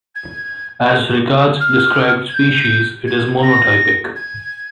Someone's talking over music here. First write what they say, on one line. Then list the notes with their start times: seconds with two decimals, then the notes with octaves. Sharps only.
As regards described species, it is monotypic.
0.15 G#6
1.60 F6
2.28 G#6
2.34 G6
3.07 G#6
3.42 A#6
4.15 G#6